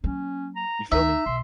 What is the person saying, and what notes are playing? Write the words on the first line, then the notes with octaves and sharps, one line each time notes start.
You feel me?
F#3 A#3 C#4
A#5
D2 D#4 E5
B1 C6